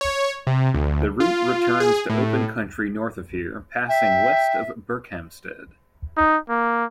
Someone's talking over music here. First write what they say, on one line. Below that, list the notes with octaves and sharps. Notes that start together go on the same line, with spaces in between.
The route returns to open country north of here, passing west of Berkhamsted.
C#5
C3
D2
F4
G#4
A2
E5 G5
D#4
A#3